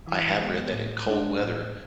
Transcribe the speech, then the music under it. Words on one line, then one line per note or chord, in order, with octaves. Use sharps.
I have read that in cold weather,
E3
G#3 B3
A2
G#3 D4
A2